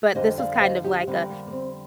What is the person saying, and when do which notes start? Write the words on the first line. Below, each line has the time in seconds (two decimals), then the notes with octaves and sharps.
but this was kind of like a,
0.15 F2 D3 G3 A#3 C5 D#5
0.38 D5 F5
0.61 C5 D#5
0.84 D#4 G4
1.07 F2 D3 G3 A#3 C4
1.30 A#3
1.47 A#3
1.52 C4